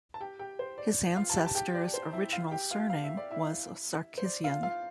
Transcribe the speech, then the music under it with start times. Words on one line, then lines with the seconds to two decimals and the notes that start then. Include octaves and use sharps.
His ancestors' original surname was "Sarkisian".
0.14 A5
0.21 G4 G5
0.39 G4 G5
0.59 C5
0.78 D5
1.16 F4 F5
1.30 A5
1.36 G4 G5
1.46 A5
1.55 G4 G5
1.74 D5
1.94 C5
2.13 E4 E5
2.32 F4 F5
2.51 G4 G5
2.70 F4 F5
2.90 F5
3.04 E5
3.17 D5
3.31 E4 E5
4.18 C5
4.25 D5
4.44 F4 F5
4.63 F4 F5